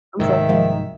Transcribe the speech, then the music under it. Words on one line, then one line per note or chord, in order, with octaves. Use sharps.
I'm sorry?
C2 G#2 D#3 F#3 E5
F3 G#3 A#3